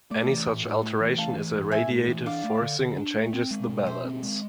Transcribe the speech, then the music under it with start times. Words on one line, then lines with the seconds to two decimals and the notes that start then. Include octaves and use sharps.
Any such alteration is a radiative forcing, and changes the balance.
0.11 A3 D5
0.29 E3
0.47 A2
0.65 A2
0.83 A3
1.00 E3
1.18 A3 F5 A5
1.37 E3
1.54 A2
1.72 A2 E5 G#5
1.90 A3
2.08 E3
2.26 D4 D5 F5
2.44 A3
2.61 D3
2.80 D3
2.98 D4
3.15 A3
3.34 C4
3.51 G#3
3.69 B2
3.87 B2 C5 E5
4.04 C4
4.23 G#3